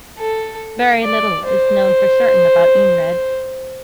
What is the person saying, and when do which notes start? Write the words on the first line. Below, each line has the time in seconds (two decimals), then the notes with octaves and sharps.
Very little is known for certain about Eanred.
0.18 A4
1.03 D5
1.45 C5